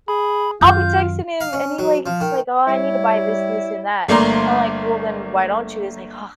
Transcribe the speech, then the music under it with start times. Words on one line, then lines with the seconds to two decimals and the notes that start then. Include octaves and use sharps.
I'll be texting him, and he like he's like, "Oh, I need to buy this, this, and that." I'm like, "Well, then, why don't you?" He's like, "Huh,
0.08 G#4 B5
0.61 F#2 D#3 F4 G6
1.41 F5
1.53 C#4
1.79 F#3
2.06 F3
2.21 D#3
2.67 G3 E4 C#5
4.08 G1 A3 A#3 D5 A#5 C6